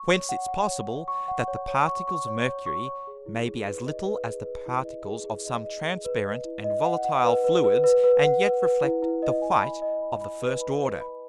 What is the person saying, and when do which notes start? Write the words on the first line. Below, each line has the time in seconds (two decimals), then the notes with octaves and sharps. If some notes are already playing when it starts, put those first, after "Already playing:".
Whence it's possible, that the Particles of Mercury may be as little as the Particles of some transparent and volatile Fluids, and yet reflect the white of the first order.
Already playing: C#6
0.09 C#5
0.29 F#5
0.48 F#5
0.68 C#5
0.88 C#5
1.08 C#6
1.28 F#5
1.48 C#5
1.68 C#5
1.88 C#6
2.07 C#6
2.27 C#5
2.47 C#5
2.66 C#6
2.86 C#5
3.07 G#4
3.26 E4
3.46 G#4
3.66 B4
3.86 D#5
4.06 B4
4.25 G#4
4.46 B4
4.66 E4
4.85 D#5
5.06 G#4
5.26 G#4
5.45 D#5
5.65 D#5
5.85 G#4
6.05 B4
6.25 D#5
6.45 E4
6.64 D#5
6.84 F#5
7.04 F#5
7.24 B4
7.44 B4
7.64 B4
7.84 B4
8.04 B4
8.24 F#5
8.42 B4
8.62 B4
8.83 E4
9.03 E4
9.22 D#5
9.42 G#5
9.63 B5
9.82 D#5
10.02 B5
10.21 B5
10.42 B4
10.61 B5
10.82 B4
11.01 B5